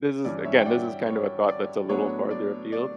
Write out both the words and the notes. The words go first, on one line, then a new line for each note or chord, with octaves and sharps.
this is, again, this is kind of a thought that's a little farther afield
G2 E3 G3 C#4 D5
C#5 E5
G5
D5 F#5
C#5
D5
A2 F#3 B3 D4 C#5
D5
D5